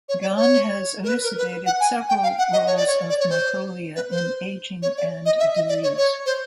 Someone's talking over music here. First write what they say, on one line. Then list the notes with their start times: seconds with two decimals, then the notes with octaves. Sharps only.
Gan has elucidated several roles of microglia in aging and disease.
0.09 C#5
0.22 D5
0.37 C#5
1.04 A#4
1.08 B4
1.23 A#4
1.38 B4
1.66 F#5
1.80 G#5
2.09 G5
2.23 F5
2.38 F#5
2.53 D#5
2.66 C#5
2.77 D5
2.87 C#5
3.10 D5
3.20 C#5
3.30 C5
3.96 B4
4.11 C5
4.82 C#5
4.97 D5
5.26 D#5
5.40 E5
5.55 D#5
5.69 D5
5.83 C#5
5.97 C#5
6.26 C5